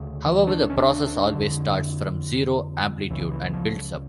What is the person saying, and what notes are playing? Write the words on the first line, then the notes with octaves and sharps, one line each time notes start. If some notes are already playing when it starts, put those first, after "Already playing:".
However, the process always starts from zero amplitude and builds up.
Already playing: D2 C#3
E3
D4
C#4
D4
D4
F2 D3
C#2 C#3 E3
E3
F3